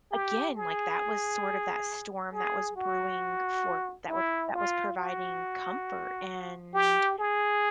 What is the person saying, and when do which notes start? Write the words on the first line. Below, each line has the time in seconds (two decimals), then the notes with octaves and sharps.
again, like, that was sort of that storm that was brewing for that was that was providing comfort and
0.11 G4
0.56 G#4
2.33 G#4
2.76 F#4
4.09 E4
4.54 F4
4.97 F#4
6.74 G4
7.18 G#4